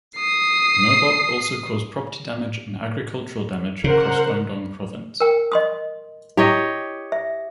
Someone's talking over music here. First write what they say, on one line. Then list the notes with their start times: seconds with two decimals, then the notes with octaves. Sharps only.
Merbok also caused property damage and agricultural damage across Guangdong Province.
0.16 D#6 C7
3.84 C#3 A#4 C5 F#5
5.20 A#4 G5
5.52 D#5 C6 D#6
6.37 E4 G4 C#5 D#5
7.12 E5